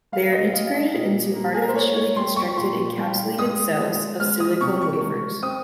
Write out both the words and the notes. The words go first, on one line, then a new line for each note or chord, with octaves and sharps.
They are integrated into artificially constructed encapsulated cells of silicon wafers.
G3 F5
D#5
G3 F5
D#5
A#2
A#3
G#4
A#4
C5
A#3 C#5
C#5
G3 C6
C#6
A#2 C6
G3
G#3 D#6
G#3
G#3 F6
D#6
C3 C#6
C#6
G#3 C#6
C4 D#6